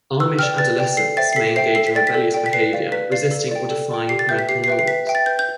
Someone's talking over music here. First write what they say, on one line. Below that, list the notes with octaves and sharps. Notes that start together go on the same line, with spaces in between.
Amish adolescents may engage in rebellious behavior, resisting or defying parental norms.
B4 E6
D5 G5 F6
B4 A6
D5 G5
A4 C7
C5 E5 G5 A6
C7
A4 B6
C5 E5 G5 C7
A4 C7
B6
D5 G5 A6
B6
A4
D5 G5
B6
B4 C7
D5 F5
B4 B6
D5 F5 C7
A4
D5 G5
A4
D5 G5
G4 C7
A6
B4 E5 G5 G6
B6
G4 C7
C7
B4 E5 G5
C7
B4 B6
E5 G5
A6
B4 G6
G6